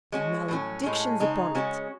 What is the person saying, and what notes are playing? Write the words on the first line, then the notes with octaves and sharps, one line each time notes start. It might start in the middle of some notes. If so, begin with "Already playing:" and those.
Maledictions upon it!
G#3 C#4 F#4
A2 F#3 C#4
A2 G#3 C#4
C#3 G#3 D#4
C#3 G#3 C#4 F#4